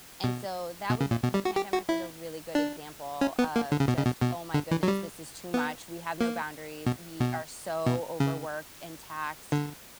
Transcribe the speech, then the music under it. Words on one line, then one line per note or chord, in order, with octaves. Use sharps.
and so, that was a The pandemic was a really good example of just, "Oh my goodness, this is too much, we have no boundaries, we are so overworked and taxed.
B2
B2
C#3
A#2
B2
G3
F#4
G4
F#4
E4
D4
C#4
B3
A#3
D3
C#3
B2
C#3
B2
B2
D3
E3
F#3
G3
B3
A#3
B2
B2
B2
C#3
D3